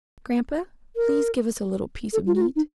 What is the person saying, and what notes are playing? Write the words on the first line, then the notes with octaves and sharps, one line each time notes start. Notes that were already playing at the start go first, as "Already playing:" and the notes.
"Grandpa, please give us a little piece of meat."
A#4
A4
F4
F#4
F4
D#4